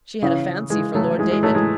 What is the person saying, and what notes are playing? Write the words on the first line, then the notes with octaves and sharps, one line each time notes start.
She had a fancy for Lord David.
C#3 E3
E3 G#3
F#3 A3
E3 G#3
E3 G#3
F#3 A3
E3 G#3